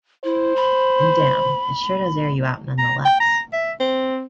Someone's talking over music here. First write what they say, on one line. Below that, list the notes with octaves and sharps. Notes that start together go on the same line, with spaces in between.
And damn, it sure does air you out nonetheless.
E4 C5
B5
A#5
G5
A#5
E5
C4